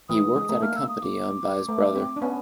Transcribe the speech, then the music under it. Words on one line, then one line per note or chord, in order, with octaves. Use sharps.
He worked at a company owned by his brother.
E3 D#6
G#3
A3
A#3 F6
E6
D#6
D6
A3
C4
D4
B3 C#4 G#5